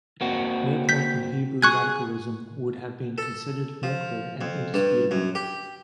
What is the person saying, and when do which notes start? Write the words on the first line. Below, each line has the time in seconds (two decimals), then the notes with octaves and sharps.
No point in Hebrew radicalism would have been considered more clear and indisputable.
0.21 A#3 C4 F#4
0.89 G6 B6
1.62 G#4 C#6 F#6 G#6
3.18 A4
3.83 F3
4.41 F2
4.74 G2
5.11 F#2
5.35 G4